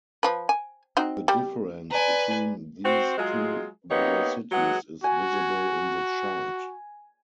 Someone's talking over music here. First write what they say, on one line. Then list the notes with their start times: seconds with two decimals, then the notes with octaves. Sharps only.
The difference between these two velocities is visible in the chart.
0.23 F3 B4
0.49 G#5
0.97 C4 D#4 F#4
1.28 G3
1.90 B4 D5 G#5 A#5
2.84 C4 F#4 C5
3.18 F#3 G#3 F4 G#4
3.90 A#3 B3 D#4 G4 C#5
4.52 F#3 G#3 G#4 B4 F#5
5.04 F#4 G#5